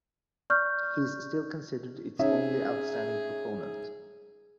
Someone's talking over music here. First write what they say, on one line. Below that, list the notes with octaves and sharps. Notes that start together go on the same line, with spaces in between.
He is still considered its only outstanding proponent.
D5 C#6 F6 G6
C#4 D#4 G#4 E5